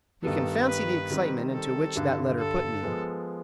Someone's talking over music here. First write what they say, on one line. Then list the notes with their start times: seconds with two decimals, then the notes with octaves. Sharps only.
You can fancy the excitement into which that letter put me.
0.23 G2 D#3 G3 B3 A4
0.67 B4
1.10 D#3 G3 C4
1.54 A4
1.96 G2 D3 G3
2.39 A4
2.82 F3 G#3 B3